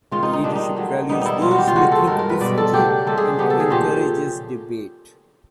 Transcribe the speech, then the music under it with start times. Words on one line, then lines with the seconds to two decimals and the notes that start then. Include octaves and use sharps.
The leadership values those who think differently and encourages debate.
0.11 D#3 G#3 C#4 F4
0.23 D#4
0.33 D#4
0.44 D#3 G3 A#3 D4
0.55 D#4
0.76 D#3 F#3 A3
1.09 D#3 G3 B3 D4 D#4
1.21 D#4 E4
1.42 B2 G3 C4 F4
1.51 F#4
1.58 G4
1.67 F4
1.76 C#3 F3 A#3 F#4
1.92 A4
2.07 G2 D#3 G#3 A#4
2.19 A#4
2.30 B4
2.40 B2 G3 C4 D5
2.58 A4
2.72 C#3 F#3 A3 D4 G4
3.06 C3 D#3 G3 A#3 A4
3.18 G#4
3.38 C#3 F#3 B3 D4 G4
3.50 A4
3.60 G#4
3.70 A#2 F3 A3 C#4 G4